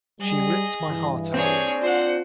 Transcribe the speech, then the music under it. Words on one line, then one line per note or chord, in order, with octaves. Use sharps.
She ripped my heart out.
G3 G#4 D#5
G2 E3
C4 D4 G#4 C#5
F4 C5 D5 F#5